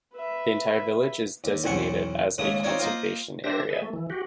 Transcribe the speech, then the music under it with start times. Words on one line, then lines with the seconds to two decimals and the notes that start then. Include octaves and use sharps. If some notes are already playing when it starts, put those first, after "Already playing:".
The entire village is designated as a conservation area.
0.14 B4 E5
1.44 D#2
1.64 B1 E2 C4 C#4 F#5 C#6
2.38 D#2 G#2 C#3 A3 D#6
2.63 C4 D#4 F4 A#4 C#5 D5
2.80 A#3 F4 A#4 C5 D#5 F5
3.44 D4 G4 C5 E5 A#6
3.70 G#4 B4 D#5 E5
3.82 A3
3.93 E3
4.10 F#4 G4